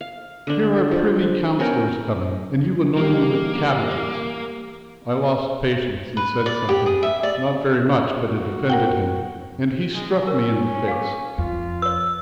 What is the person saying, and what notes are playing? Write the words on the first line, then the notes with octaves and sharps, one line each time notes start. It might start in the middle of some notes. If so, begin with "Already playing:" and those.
Here are privy councillors coming, and you annoy me with cabbages!' I lost patience and said something--not very much, but it offended him, and he struck me in the face.
F5
D3 D4
F3
B3 C#4 A#4 G5
E3 G3 A#3 D#4 G4
B4
D5
G4
G#4
E5
D5
F#4
A#4 F#5 G5
G#3
C#4 A#4
F5 D6
F2 F4
B4 C#5 E6